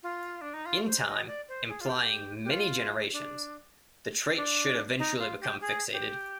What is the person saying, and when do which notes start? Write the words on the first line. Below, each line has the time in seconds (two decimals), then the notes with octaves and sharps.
In time, implying many generations, the trait should eventually become fixated.
0.03 F4
0.41 D4
0.54 D#4
0.66 F4
0.87 C5
1.07 D#5
1.27 D5
1.48 C5
1.69 G#4
1.81 F4
1.89 G4
2.44 G4
2.51 F4
3.13 D4
4.37 D4
4.99 D#4
5.19 F4
5.41 G4
5.61 G#4
5.92 G4